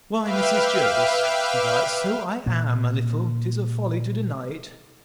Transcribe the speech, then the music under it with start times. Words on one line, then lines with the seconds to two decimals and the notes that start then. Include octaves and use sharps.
Why, Mrs. Jervis, said I, so I am, a little; 'tis a folly to deny it.
0.21 B4 E5 F5 G5 D6 F6
2.46 A#2 A#3